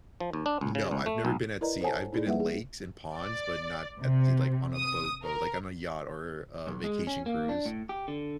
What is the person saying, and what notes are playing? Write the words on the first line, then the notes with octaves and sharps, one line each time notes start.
no. I've never been at sea. I've been in lakes and ponds, but not at sea, like, on a boat boat, like, on a yacht or a vacation cruise.
F3
D#2
D4
C#2
C#3
C#2
A3
B1
E4 A#4 B4 D5 D#5 A#5
A4 C5 C#5 F#5 G#5 A5
D#4 E4 G#4 D5
G3 A#3 B4 E5 F#5
G#4
D5
C3
D#6
A#4
B1
G#3
C#4
A#3
D4
A2
G4
D3